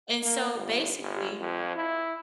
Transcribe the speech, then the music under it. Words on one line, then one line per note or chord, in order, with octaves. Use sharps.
And, so, basically
A#3
G1
G1
F2
E4